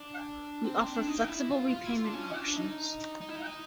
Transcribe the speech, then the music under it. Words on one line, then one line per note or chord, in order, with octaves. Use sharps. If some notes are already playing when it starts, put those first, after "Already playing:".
We offer flexible repayment options.
Already playing: D4
C4
D4
D#4
E4
F4
F4
E4
F4
D4
C#4
D4
D#4
D#4
E4
D#4